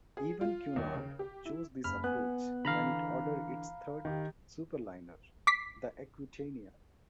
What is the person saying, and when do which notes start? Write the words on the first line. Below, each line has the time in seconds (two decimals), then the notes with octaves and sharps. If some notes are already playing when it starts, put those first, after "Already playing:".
Even Cunard chose this approach when it ordered its third superliner, the "Aquitania".
0.17 G#4
0.41 F4
0.76 D#2
0.94 C#3
1.19 G4
1.45 E4
1.84 F#1 B5 F6
2.04 B3 G#5 F#6
2.65 D3 E3 F5 A#5 B5
4.05 D#3 G4
5.47 D6 B6 C7